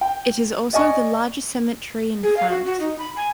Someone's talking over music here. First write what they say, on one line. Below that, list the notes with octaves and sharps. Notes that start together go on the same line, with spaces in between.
It is also the largest cemetery in France.
G5
D5 D#5 G#5 C#6
G#4
F5
F#4
F#4
D#4
B5
G#5